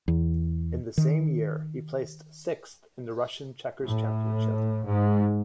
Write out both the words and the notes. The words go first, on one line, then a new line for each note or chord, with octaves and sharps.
In the same year, he placed sixth in the Russian Checkers Championship.
E2
D#3
A2
G#2